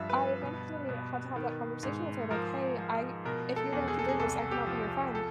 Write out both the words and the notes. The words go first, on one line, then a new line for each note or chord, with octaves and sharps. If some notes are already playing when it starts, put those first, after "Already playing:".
I eventually had to have that conversation with her like, "Hey, I if you're gonna keep doing this, I cannot be your friend."
Already playing: G2 F3 E5
B4
B2
B2
D#3
G#2
F3 A#4
F3
B2 A#4
A4
E2
G#4
A4
G#4
C2 A4
G4
F3
A4